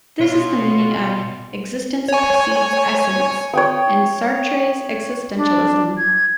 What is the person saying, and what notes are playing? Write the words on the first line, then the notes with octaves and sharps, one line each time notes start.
This is the meaning of "existence precedes essence" in Sartre's existentialism.
B2 F4 C#5 C6 C7
C#5 G#5
C#5 G5 D#6
D4
G#6